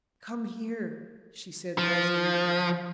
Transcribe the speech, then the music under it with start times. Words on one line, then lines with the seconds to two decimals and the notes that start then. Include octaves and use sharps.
"Come here," she said resolutely.
1.78 F3